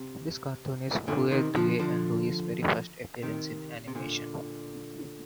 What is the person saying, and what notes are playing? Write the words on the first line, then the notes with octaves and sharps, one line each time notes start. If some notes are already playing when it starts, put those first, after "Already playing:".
This cartoon is Huey, Dewey, and Louie's very first appearance in animation.
Already playing: C3
A#2 D3
C3 D#3
D3 F3
D3 F3
C3 D#3
C3
A#2 D3